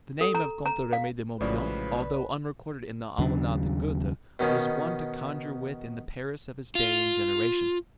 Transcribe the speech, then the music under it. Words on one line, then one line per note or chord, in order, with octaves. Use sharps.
The name of Comte Remy de Morbihan, although unrecorded in the Almanach de Gotha, was one to conjure with in the Paris of his day and generation.
A4
A#5
A#5
F5
A#1 A2 C#3 F3 F#3 G#3 B4 D5
D#2 C#3 F#3 D4
B2 D#3 C#4
F4